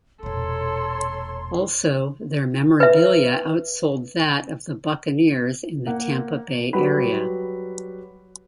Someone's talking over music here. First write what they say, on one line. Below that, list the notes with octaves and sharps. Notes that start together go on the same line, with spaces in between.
Also, their memorabilia outsold that of the Buccaneers in the Tampa Bay area.
E1 A#2 A4 C#5 A#5 C6
B4 E5
A#3 F#5
F#3 G3 F#4 B4 B5